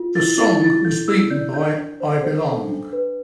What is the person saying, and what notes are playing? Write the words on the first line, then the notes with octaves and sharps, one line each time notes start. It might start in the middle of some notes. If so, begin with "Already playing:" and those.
The song was beaten by "I Belong".
Already playing: F4
E4 A6
E4 A6
E4 A6
A4 G6
E4 E6
D5 G6
D4 G6
D4
C5
C5
A4
D4
B4